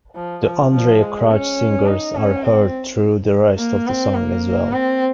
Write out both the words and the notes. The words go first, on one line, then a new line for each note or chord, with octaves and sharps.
The Andrae Crouch Singers are heard throughout the rest of the song as well.
F3
F3
F3
G#3
C#4
D#4
C#4
C4
A#3
C4
A#3
C4